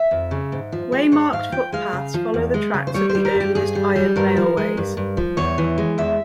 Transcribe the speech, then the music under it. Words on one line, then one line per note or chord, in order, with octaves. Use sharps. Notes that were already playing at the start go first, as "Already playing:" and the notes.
Waymarked footpaths follow the tracks of the earliest iron railways.
Already playing: E5
F2
C#3
G#2
F3
G#3
G#2 C#5
G#2 F5
F3 G5
G#3 F5
C#3
F3
E2
G#3
C#3
C5
G3 C#5
C5
G3
A#4
G2
G4
G2 G#4
G3
G3
G2 A#4
F3
G#3
G2
G2
F3
E2 C#5
E3
G#3
E2 E5